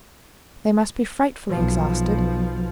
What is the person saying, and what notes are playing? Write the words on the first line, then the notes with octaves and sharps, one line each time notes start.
They must be frightfully exhausted.
B1 F3